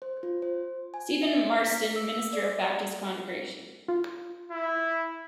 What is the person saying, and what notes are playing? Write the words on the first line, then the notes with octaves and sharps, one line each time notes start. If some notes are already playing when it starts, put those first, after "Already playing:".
Stephen Marston, minister of a baptist congregation.
C5
F4
C5
G#5
E5
B6
E6
D5
F4
E4